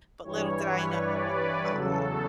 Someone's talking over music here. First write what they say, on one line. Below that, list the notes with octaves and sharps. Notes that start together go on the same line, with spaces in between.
But little did I know, um,
G2 E3 G3 C#5
B4
D5
B4
E2 C#3 F#3 A4